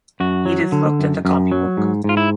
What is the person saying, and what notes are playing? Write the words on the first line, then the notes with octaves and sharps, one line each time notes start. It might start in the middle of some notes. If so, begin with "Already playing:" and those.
Edith looked at the copybook.
F#2 F#4
F#3
D3
F#2
F#2
F#3
G#2
G#2 F4
E4